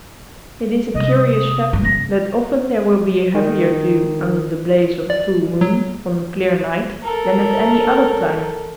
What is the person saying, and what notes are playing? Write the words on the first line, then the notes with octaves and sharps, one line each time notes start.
It is a curious fact that often there will be a heavier dew under the blaze of a full moon on a clear night than at any other time.
C3 G3 D#5
D#6
G2
C#3 B3 A#6
D#3
D5
F#3
A4 A#4